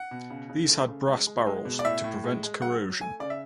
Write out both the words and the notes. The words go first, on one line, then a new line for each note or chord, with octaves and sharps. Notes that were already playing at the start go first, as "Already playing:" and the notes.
These had brass barrels to prevent corrosion.
Already playing: F#5
B2
C#3
C#3
A3
C#3
G#3
G#3
G#3
B2
D5
A2 E5
A2
G#3
G#3
F#3 F#5
F#3
A3 G#5
C#3 D5
E5